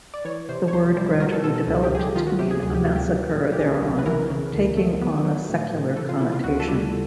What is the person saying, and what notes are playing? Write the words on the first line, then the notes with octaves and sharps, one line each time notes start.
The word gradually developed to mean a massacre thereon, taking on a secular connotation.
D5
E3 C#5
C3 C5
C#5
C#2 C5
G3 C5
F#3 A#4
A4
B2 A4
A4
C#2
G4
C#2 G#4
G4
D#3 F4
F#4
C3 G4
G#4
D2 G#4
G4
D2 F#4
G4
F#3
A#2
G4
B1 G#4
B1
B4
E3 A#4
C#3
D2
A3
B3
F#3
A2
A2
E3 A4
F4
C#3 E4
F4
D2 F#4
A4
G3